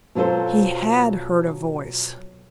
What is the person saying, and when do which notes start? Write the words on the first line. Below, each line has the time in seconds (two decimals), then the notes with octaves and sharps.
He had heard a voice.
0.15 B2 F#3 F4 A4 C5